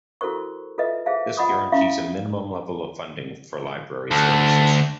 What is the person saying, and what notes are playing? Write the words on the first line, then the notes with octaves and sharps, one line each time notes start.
This guarantees a minimum level of funding for Library services.
E4 F#4 A4 A#4 C5 C#6
F4 A4 B4 D#5 E5
G#4 C5 E5 F5 A5
F4 D#5 F#5 B5 C#6 D#6
C#4 E4 E5 F5 C#6
D2 A4